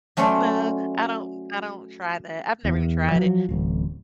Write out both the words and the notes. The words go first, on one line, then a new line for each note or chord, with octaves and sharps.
No, I don't I don't try that. I've never even tried it,
F#3 A3 C#4 C5 D5
E2
F3 F#3
D1 A1